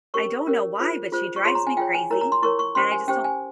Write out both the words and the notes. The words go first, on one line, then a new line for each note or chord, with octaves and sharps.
I don't know why, but she drives me crazy, and I just don't
C#4 G4 A#4 C#5 C#6
C#4 G4 A#4 C#5
F4 G#4 C5
F4 G#4 C5
C#6
F4 G#4 C#5 C6
A#5
G#5
F4 G#4 C#5 G5
G#5
E4 A#4 C#5 A#5
A#5
C6
E4 A#4 C#5 C#6
C#6
C#4 G4 C5 C6
G#5
C#4 G4 C5 G5
G#5